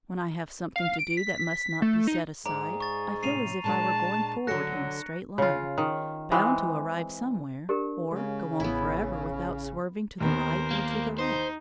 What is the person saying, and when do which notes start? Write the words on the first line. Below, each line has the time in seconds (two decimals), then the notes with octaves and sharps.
When I have something to do that must not be set aside, I feel as if I were going forward in a straight line, bound to arrive somewhere, or go on forever without swerving to the right or to the left.
0.76 F5
0.99 D7
1.17 B6
1.82 A3
2.07 D#4
2.46 G#2 G#4 D5 A#5
2.80 C#6 A6
3.23 A2 C3 C#4 C7 D#7 F7
3.64 A#2 G#3 D4 A5
4.47 D3 F#3 A4 F#6 A#6 C#7
5.38 C#3 F4
5.78 D#3
6.32 E3 G#3 C4
7.69 D4 G4 A#4
8.12 C#3 G#3
8.60 A1 B3 E4
10.21 D#2 B3 A#4 C5
10.71 A#3
11.19 D#4 C5